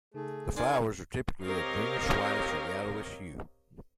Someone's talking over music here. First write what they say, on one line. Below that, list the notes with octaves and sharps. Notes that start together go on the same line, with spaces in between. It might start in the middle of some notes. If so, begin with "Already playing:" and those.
The flowers are typically a greenish, whitish, or yellowish hue.
C#3 A3 D#4 G#4
D4 D#4 A#4 C5 G#5 C6
C4 G4 A#4 C#5 D#5 F5